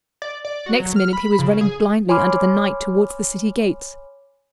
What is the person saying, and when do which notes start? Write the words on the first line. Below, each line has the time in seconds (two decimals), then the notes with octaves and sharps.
Next minute he was running blindly under the night towards the city gates.
0.22 D5
0.45 D5
0.66 F#4
0.80 F#3
0.96 F6
1.13 B5
1.39 C#3
1.61 G#4
2.09 C#5 G#5 B5 C6 D6 F6